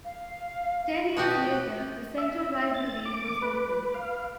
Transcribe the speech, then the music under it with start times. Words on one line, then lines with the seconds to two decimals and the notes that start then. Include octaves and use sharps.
Ten years later, the Central Library was opened.
0.05 F5
1.17 B2 F#4 G4 D#6
2.18 E5
2.74 A6
3.05 D6
3.42 B4
3.94 F5